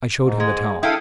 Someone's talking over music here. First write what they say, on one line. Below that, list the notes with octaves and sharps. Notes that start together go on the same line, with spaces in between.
I showed him the towel.
G#2
G#3
E4 A4 F5 G5 D#6